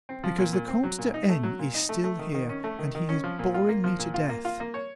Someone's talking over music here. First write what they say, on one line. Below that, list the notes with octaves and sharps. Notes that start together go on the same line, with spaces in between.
"Because the Comte de N. is still here, and he is boring me to death."
C4
F3
A#2
A#2
C4
F#3
A#2
D#4
A3
F#3
A#2
D#4
A3
A3
D#3
D#3
C#4
A3
D#3
D#3
C#4
F3
A#2
F4
A#3
F3
A#2
F4
A#3
F4
A#3
C#5